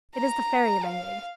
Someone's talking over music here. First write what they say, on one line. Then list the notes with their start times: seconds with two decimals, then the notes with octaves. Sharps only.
It is the fairy language.
0.15 A#5
0.83 F5